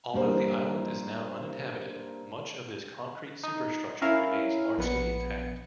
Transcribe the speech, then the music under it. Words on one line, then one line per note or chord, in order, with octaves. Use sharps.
Although the island is now uninhabited much of this concrete superstructure remains largely intact.
G2 G3 A#3 C5
D#4
C#4 E4 A#4 F5
A#1 B3 C#7